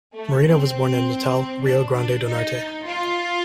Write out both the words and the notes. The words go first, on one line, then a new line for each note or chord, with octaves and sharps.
Marinho was born in Natal, Rio Grande do Norte.
A3
C4
D4
D4
D#4
F4